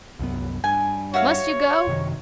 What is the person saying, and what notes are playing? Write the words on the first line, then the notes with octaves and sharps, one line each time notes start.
Must you go?
C2 F#2 B3
G2 G#5
F#4 C#5 E5 F5
F#2 C3 D#3